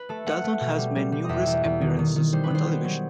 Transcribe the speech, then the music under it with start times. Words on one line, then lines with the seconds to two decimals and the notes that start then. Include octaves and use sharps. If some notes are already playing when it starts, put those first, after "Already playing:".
Dalton has made numerous appearances on television.
Already playing: B4
0.09 A3 A4
0.26 A3 F#5
0.44 A3
0.61 B2
0.78 G3
0.96 G3
1.12 G3
1.24 D#5
1.29 E2 E5
1.47 E2
1.64 E2
1.81 D#3
1.99 D#3
2.16 D#3
2.33 G3 C5
2.44 B4
2.50 D#3 C5
2.67 B3
2.84 F#3